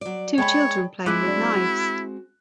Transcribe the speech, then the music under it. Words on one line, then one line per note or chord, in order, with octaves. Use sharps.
Two children playing with knives.
F#3 D5
G#3 C#5 G5 A5 B5
G#3 C4 E4 D6 F#6
F#3 D4
F#4